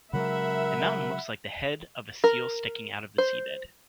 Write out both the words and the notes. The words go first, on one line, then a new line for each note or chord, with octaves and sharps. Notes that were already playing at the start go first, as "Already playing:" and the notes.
The mountain looks like the head of a seal sticking out of the seabed.
C#3 F#3 G#3 A#4 E5 F#5 B5
A#4
C5